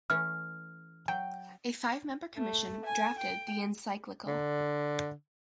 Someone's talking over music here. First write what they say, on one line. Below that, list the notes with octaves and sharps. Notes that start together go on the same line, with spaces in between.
A five-member commission drafted the encyclical.
E3 A3 C#4 F6
F#3 G5
A3
G#5
G5
D3